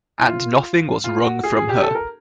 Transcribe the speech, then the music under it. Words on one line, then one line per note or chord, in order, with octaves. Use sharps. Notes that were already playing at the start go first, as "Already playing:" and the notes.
And nothing was wrung from her.
E4
F4
F4
F#4
G#4
G#4
G4
A4
A#4